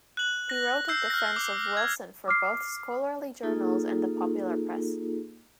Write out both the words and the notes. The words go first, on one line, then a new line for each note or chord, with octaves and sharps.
He wrote in defense of Wilson for both scholarly journals and the popular press.
F#6 F#7
A#6
E6 G6 C7
F6 A#6
D6
G#6
D6 F6 C7
A#3 D#4 F4 G#4 A4